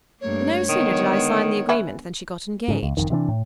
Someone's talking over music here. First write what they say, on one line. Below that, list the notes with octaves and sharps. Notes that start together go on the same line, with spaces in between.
No sooner did I sign the agreement than she got engaged.
G2 A3 A#3 C#5
D3 D#3 G#3 B3
B3 C#4 E4
G#2 C#3
C#2
F#1 C2 F2 D#3
C3 E3 C4 D4
A2